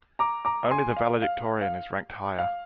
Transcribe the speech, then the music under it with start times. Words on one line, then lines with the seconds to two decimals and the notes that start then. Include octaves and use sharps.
Only the valedictorian is ranked higher.
0.19 A#5 D6
0.45 A#5 D6
0.71 G#5 C6
0.97 F5
1.22 F5
1.61 F5
2.39 F5